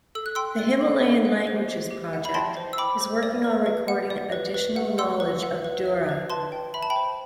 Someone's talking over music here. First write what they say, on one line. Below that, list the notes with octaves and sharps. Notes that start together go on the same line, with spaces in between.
The Himalayan Languages Project is working on recording additional knowledge of Dura.
A4 E6
F#6
G5 C6 E6
D5
A4
A4
F#5
C5
G4
G4
F#5
B5
G5 A5 C6
C5
E6
G5 B5 D6
C5
D5
B4
B4
F#5
D5
B4
B4
F#5
F#5 C6 E6
B4
F#5
B4
E5
B4
B4 A5 C6
G5
E5 B5
A5
G5 B5
C5